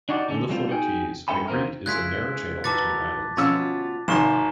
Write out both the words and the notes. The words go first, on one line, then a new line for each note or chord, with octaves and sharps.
In the Florida Keys, a creek is a narrow channel between islands.
D4 D#4 F#4 G4 C#5 D5
D3 C#4 A4
F#3 G3 A3 C4 D#4 F4
D#4 F#4 G#4 G5
G2 C#4 A4 E5 G5 B5
E2 B2 A#3 C4 A#4
C#3 G#3 E4 F#6 G#6 B6
D#3 E3 F#3 A5 D6 A6
D2 B2 C#4 F4 E6
G#1 C3 A#5 C#6 E7